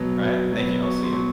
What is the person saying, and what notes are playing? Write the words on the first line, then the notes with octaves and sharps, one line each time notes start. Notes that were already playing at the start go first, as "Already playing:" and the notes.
Right. Thank you, I'll see ya.
Already playing: B2 F#3 B3
B2
F#3 B3
B2 C#6
C6
F#3 B3 C#6